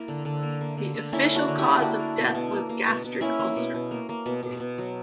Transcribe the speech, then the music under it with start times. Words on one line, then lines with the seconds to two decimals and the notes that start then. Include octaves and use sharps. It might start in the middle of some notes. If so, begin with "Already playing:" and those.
The official cause of death was gastric ulcer.
Already playing: A#3 E4
0.08 D3
0.25 D3
0.43 A#3
0.61 A#3
0.77 D3
0.95 D3
1.12 A#3 C#4 E4
1.30 A#3
1.35 D4 F#4
1.48 D3
1.58 E4 G4
1.65 D3
1.82 A#3 D4 F#4
1.99 A#3
2.17 B2
2.35 B2
2.52 A#3
2.69 A#3
2.87 B2
3.04 B2
3.21 A#3 C#4 E4
3.39 A#3
3.56 B2
3.74 B2
3.91 A#3
4.09 A#3
4.26 B2
4.43 B2
4.60 B2
4.78 F#3